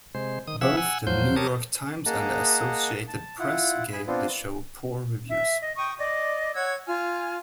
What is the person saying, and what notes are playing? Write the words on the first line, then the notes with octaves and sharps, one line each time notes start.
Both "The New York Times" and the Associated Press gave the show poor reviews.
C3 G#3 C5
D#3 D#6
C3 F3 G#4 E5 F#5 E6
F#5 G#5 E6
E2 F3 F#3 C5 G6
G4 A#4 C#5 A5 D#6
A#3 G#4 D#5 F#5 A5 A#5
A5
E4 F4 F#5
G#4 G#5 B5
B3 C4 D4 F4
E5
D#5
G5 C#6 D#6
D5 D#5
C#5 F#5 E6 G#6
F4 G#5 F6